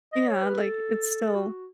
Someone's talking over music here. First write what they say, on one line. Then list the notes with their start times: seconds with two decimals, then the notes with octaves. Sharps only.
Yeah. Like, it's still
0.13 D#5
0.28 C#5
0.43 B4
0.59 A4
1.35 F#4